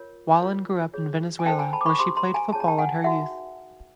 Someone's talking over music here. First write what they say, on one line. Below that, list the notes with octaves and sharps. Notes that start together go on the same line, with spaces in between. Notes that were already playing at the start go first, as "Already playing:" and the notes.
Wallen grew up in Venezuela where she played football in her youth.
Already playing: F4 A#4 C#5
F4 A#4 C#5
F4 G#4 C#5
G#5
C#4 E4 A4 C5 G5 A5
G#5 A#5
A5 B5
D6
B5 C#6
D4 G4 C5 C6 D6
A#5 C6
G#5 A#5
C#4 F4 G#4 C#5 A5
A#5
G5 A5
F#5 G#5
D#4 F#4 B4 E5 F#5